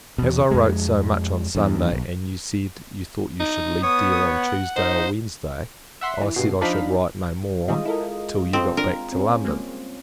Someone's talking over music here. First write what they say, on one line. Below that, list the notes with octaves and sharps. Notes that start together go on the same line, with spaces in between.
As I wrote so much on Sunday, and you said--you thought you should leave Deal on Tuesday or Wednesday, I said--I should write no more till you got back to London.
E2 B2
F2 G#3
E2 G2
B1
D#4
B3 C#5 D#6
F#5
D#4 C5
E5 F#5 C6 B6
E3
G2 B2 C7
F3 D4 D#4 F5 B5 B6
D#3 G3 G#3 C4 F4 D#5
E4 A4 A#4
C4 F4 A4 C5 D#5
D4 A#4
C4 C#4
G3 G#3 A#3